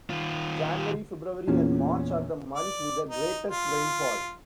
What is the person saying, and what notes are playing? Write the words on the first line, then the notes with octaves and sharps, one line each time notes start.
January, February and March are the months with the greatest rainfall.
D#3 F4
E2 A#2 A#3 C#4
D5
D#4
F4